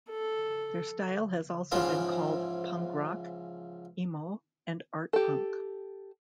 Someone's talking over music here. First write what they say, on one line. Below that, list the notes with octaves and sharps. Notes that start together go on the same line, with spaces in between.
Their style has also been called punk rock, emo and art punk.
A4
G#2 C#3 E3 F3 F4
G4 A4